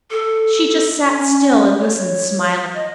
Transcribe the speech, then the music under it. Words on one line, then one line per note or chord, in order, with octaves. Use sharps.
She just sat still and listened, smiling.
A4
C#4
C#5
D#5